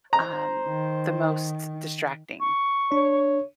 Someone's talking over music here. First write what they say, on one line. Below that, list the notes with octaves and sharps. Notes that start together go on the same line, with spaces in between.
um, the most distracting.
C5 A#5
D#3
C#6
D4 C#5